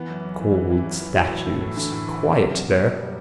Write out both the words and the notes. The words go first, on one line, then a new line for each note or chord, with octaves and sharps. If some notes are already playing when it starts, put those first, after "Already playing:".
Cold statues: quiet there.
Already playing: E3 B3
F#2
F#2
E3
E3
E3
F#2
E3
A2 F#3
E3
A3
A2
D3 E3
A2
E3
D4
F#2 C3
F#2
F#2 B2
F#2
G3